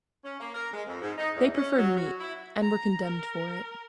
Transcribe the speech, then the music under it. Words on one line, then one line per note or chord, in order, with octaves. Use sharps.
They preferred meat, and were condemned for it.
C#4
A#3
A#4
G#3
F2
G#2
D#4
E2
C#4
F#3
F#4
E4
A#5
A#4